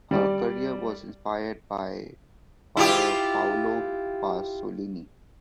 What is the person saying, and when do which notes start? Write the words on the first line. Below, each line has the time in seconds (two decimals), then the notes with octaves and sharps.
Her career was inspired by Pier Paolo Pasolini.
0.11 G3 D5
2.77 E4 F4 G4